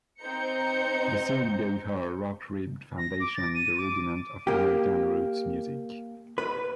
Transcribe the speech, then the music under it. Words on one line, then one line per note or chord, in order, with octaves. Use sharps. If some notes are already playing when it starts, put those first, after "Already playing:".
The scene gave her a rock-ribbed foundation in the rudiments of American roots music.
C4 D#4 C5 A#5 G6 C#7
A#6
D6
A6
D#7
D6
A#3 G4
B4